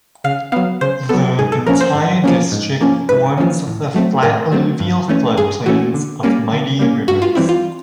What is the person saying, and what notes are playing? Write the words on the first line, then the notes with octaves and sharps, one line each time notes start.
The entire district forms the flat alluvial flood plains of mighty rivers.
C#3 F5
F#3 B3 F5
C#3 C5
F#3 B3 A4
G#2 G#4
A4
F3 A#3 C#4 A#4
C5
G#2
F3 A#3 C#4
G#2
F3 A#3 C#4
G#2 B4
F3 A#3 C#4
A2
F#3 A3 C4
A2 A#4
F#3 A3 C4
G2
E3 A3 C#4
G2 G#4
E3 A3 C#4 F#4
D3
G3 A#3 C#4
D3
G3 A#3 C#4
G2 F#4
F4
E3 G3 C4 E4
F4